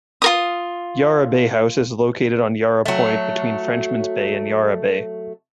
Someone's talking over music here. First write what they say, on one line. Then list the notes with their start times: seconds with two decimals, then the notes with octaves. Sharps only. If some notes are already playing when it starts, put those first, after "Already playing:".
Yarra Bay House is located on Yarra Point, between Frenchmans Bay and Yarra Bay.
0.22 F4 A#4 D#6
2.85 F#3 A3